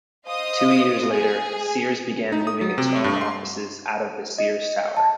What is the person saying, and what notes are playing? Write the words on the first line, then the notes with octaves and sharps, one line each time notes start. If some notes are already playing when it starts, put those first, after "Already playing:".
Two years later, Sears began moving its own offices out of the Sears Tower.
C5 D#5 F5 D#6
G#4
D#4
D#6
F#3
C3
G2
C6
D#5
A5